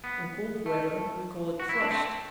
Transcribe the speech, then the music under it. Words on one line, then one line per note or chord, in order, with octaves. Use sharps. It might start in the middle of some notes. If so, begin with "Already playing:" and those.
In cold weather we call it frost.
B3
A3
F#4
E4
D4
A3 C4